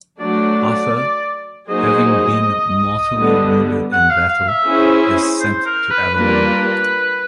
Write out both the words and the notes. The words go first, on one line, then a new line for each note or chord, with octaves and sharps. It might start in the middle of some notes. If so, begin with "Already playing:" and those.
Arthur, having been mortally wounded in battle, is sent to Avalon.
F#3 A3 D4 D5
F#3 A#3 D#4 G#4 C5 D#5
D3 G3 B3
F#5
F5
F5
E5
C#4 E4 G#4 C5
C5
A#4
B4
G3 A#3 D4 F4 A#4 B4